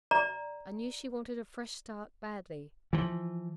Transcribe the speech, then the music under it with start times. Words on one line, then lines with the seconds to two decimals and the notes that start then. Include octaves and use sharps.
I knew she wanted a fresh start badly.'
0.11 D5 A#5
2.93 E3 F3